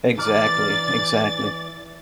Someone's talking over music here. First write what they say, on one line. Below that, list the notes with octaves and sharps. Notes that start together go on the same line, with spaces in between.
Exactly, exactly.
E3 D5 A#5 F6 A6